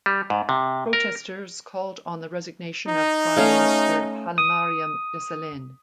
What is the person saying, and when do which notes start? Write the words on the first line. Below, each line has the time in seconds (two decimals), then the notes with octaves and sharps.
Protesters called on the resignation on prime minister Hailemariam Desalegn.
0.06 G3
0.30 G#2
0.49 C3
0.93 A#4
2.88 D#4
3.36 A3 C#4 F5
4.38 D#6